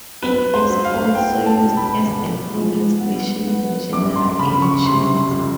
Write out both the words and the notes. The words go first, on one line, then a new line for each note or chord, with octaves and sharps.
It is also used as a polling station for general elections.
F#3 B4
C5
F#3
F5
B3 G5
A5
B2
B5
E2
F3
B3
B3
F#2 D6
C6
C#3 B5
C#6
C3 C6
C6
F2